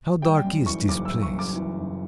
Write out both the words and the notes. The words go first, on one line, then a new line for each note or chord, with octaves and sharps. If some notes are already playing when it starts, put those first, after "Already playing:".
How dark is this place!
G3 G5
F#2
E3 C#6
F#1 D6
E6
G3
C#6
F#2
D6
E3
F#1